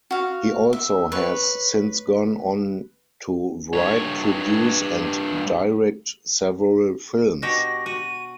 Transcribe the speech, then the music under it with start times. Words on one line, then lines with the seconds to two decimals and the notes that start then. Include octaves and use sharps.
He also has since gone on to write, produce and direct several films.
0.11 F#4 F5
0.73 E5
1.12 B4 C#5
3.73 G2 C#5
7.42 B2 F#4 G4 A#6
7.86 F#4 D#7